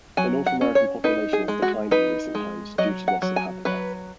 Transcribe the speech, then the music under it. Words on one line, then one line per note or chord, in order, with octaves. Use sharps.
The North American population has declined in recent times due to loss of habitat.
F#3 G#5
F#5
C#4
C#5
D#4 B4
G#4
G#3
F#4
D#4 B4
G#3
F#3 D#5
F#5
F#3
G#5
F#3 B4